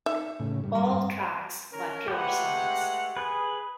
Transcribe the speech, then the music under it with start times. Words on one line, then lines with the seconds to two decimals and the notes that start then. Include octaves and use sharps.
All tracks by Pure Science.
0.06 D#4 E5
0.40 A2 C#3
0.64 G2
0.75 G3 C6
1.72 C#4 A#4
2.08 G#3 A3 G4 B4 F#5
3.17 G#4 B4